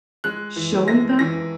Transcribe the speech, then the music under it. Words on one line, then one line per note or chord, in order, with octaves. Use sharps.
showing them.
G#3 F#6
E3
G#3 A#6
E3 A#6